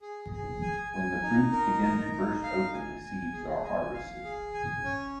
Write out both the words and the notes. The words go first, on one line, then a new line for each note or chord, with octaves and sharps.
When the fruits begin to burst open, the seeds are harvested.
G#4
G#4
G#5
G#5
D#4
A#4
D#4
D#4
F5
G#5
G#5
G#4
G#5
F5
G#4
G#5
C#4